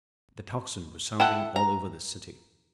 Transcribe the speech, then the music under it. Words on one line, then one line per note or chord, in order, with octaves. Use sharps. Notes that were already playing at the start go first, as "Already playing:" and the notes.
The tocsin was sounding all over the city.
E4 A4 F#5 G5
A#5